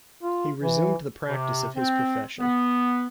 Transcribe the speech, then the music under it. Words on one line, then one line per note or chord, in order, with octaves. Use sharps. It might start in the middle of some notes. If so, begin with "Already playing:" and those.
He resumed the practice of his profession.
F4
E3
C3
C4
B3